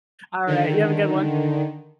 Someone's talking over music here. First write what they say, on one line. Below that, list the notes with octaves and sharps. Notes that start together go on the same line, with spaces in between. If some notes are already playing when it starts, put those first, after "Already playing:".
alright, you have a good one.
D3 D#3